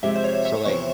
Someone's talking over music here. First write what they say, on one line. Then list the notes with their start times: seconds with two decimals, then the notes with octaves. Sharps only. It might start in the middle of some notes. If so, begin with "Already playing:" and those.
so like
0.03 C3 F3 G#3 C4 G4 E5
0.16 C5
0.24 C#5
0.45 E5
0.65 E2 C3 F3 C#6